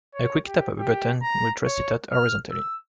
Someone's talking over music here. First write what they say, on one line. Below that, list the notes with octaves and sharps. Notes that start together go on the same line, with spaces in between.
A quick tap of a button will thrust it out horizontally.
C#5
G4
G4
A#5
C#5
F6
E6